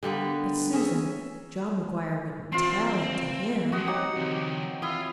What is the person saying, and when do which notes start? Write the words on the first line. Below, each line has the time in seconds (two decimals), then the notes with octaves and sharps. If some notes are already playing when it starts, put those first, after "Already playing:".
But Susan, John McGuire wouldn't TELL it to HIM.
0.03 D3 G3 A#3 B3
0.73 C#4 G#4 E5
2.52 E3 C4 F4 C6
3.72 F3 F#3 C4 F#4 D#6
3.87 F#3 C4 D#4 G4 F#5
4.16 D#3 F3 C4
4.82 E3 E4 F4 D#6